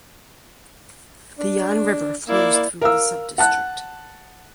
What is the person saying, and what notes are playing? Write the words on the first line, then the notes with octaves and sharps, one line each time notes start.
The Yan River flows through the subdistrict.
D4
A#3 E4 D5
A#4 F5 E6
F#5 A5 F#6